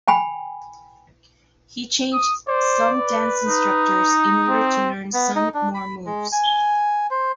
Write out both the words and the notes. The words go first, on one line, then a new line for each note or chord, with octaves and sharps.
He changed some dance instructors in order to learn some more moves.
G5 G#5 B5
D#6
C5 D5
B4
D#4
C4
B3
D#4
D4
B5
G#3
G#5
C5